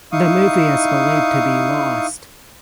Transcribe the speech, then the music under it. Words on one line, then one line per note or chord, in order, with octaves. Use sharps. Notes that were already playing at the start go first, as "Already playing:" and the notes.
The movie is believed to be lost.
D#4 E4 F5 C#6 D#6